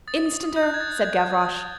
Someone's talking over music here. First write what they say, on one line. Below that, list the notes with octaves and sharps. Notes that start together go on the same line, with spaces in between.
"Instanter," said Gavroche.
D#6 A6
D#6
D#6
G6
F#6
G#6
D#6 A6
G6
G#6